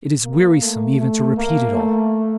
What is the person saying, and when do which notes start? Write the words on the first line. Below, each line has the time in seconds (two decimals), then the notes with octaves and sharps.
It is wearisome even to repeat it all!
0.25 A#3
0.63 A3
1.00 A3
1.37 A#3
1.75 A3